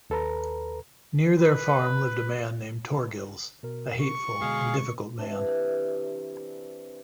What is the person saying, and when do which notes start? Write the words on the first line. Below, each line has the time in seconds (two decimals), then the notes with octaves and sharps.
Near their farm lived a man named Thorgils, a hateful and difficult man.
0.10 D#2 A4 B4 A#5
1.39 B4
3.63 B2 A#4
4.02 C#6
4.41 B2 D3 G#3 G#4 F5
5.18 C3 E3 D4